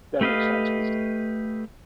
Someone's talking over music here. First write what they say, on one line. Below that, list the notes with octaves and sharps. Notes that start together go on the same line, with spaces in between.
That makes sense 'cause
A3 G4 B4 D#5 F5